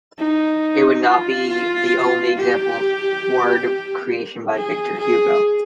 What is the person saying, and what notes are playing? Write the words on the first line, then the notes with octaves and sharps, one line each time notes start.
It would not be the only example of word creation by Victor Hugo.
D#4
F4
F4
G4
G#4
G#4